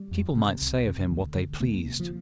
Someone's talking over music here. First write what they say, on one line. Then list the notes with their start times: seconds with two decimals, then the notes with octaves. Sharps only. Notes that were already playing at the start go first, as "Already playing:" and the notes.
People might say of him what they pleased.
Already playing: G3
0.11 F2
0.36 C3
0.62 C2
0.86 C3
1.11 D2
1.35 D3
1.60 D2 A#3
1.85 C3
2.00 F3